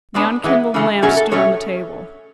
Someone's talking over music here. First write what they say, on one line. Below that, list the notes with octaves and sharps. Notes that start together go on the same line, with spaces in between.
The unkindled lamp stood on the table.
B2 G#3 B3 D4
E3 G#3 B3
C#3 E3 A3 C#4
B2 F#3 A3 C#4 G#4
A4
B2 F#3 A3 C#4 C#5